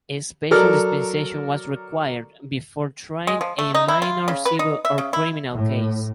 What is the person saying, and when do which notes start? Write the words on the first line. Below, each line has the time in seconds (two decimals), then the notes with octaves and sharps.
A special dispensation was required before trying a minor civil or criminal case.
0.51 F#3 A4 A#4 D5 F6
3.27 G#3
3.41 F3
3.58 A3
3.74 D#4
3.88 E4
4.02 F4
4.28 C#3
4.45 B4
4.59 D#4
4.85 E5
4.98 C#3
5.13 E4
5.53 A2